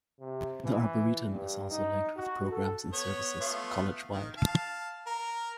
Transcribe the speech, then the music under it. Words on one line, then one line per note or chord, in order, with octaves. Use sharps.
The Arboretum is also linked with programs and services College-wide.
C3
E3
G2
D#4
F#4
A4
B3 C#5
A3 B3 F4
D#3
F5 A5
A#4